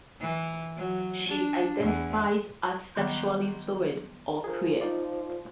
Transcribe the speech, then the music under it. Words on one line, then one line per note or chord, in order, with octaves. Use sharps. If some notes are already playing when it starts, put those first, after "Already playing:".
She identifies as sexually fluid or queer.
E3
F#3
D4
E2
D#3 F#3 G3 B3 C6 G6
F3 G#4 A#4
D#4 F4 D5